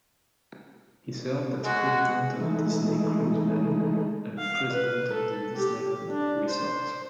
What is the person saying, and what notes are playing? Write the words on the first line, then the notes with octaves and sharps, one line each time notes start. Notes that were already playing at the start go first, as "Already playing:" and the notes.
He served as president of Disney Cruise Line and president of the Disneyland Resort.
G#3 F#4
E3 G#3 A3 D#4
F5
B4
A4
G4
D4
C5